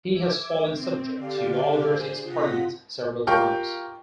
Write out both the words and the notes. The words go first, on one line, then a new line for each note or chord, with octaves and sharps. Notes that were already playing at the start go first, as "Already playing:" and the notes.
He has fallen subject to Oliver's experiments several times.
E5 D6 G#6
C4
D3 G4 D5 F5
G#4 C5
C3 F4 F#5 D#6 A#6 B6
F4 G4 A#4 G5 C#6